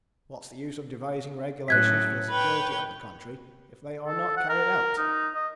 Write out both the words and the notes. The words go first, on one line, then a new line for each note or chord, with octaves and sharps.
What's the use of devising regulations for the security of the country if they are not carried out?
A2 F#3 C#4 F#6 G#6 B6
B4 C#5 G5
A4
F#5
A#4
D#4
D#5